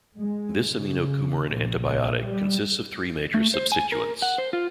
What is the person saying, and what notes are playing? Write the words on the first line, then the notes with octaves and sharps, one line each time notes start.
This aminocoumarin antibiotic consists of three major substituents.
G#3
C#3
A#1
G3
A3
C5
G#5
A#4
F#5
C5
F4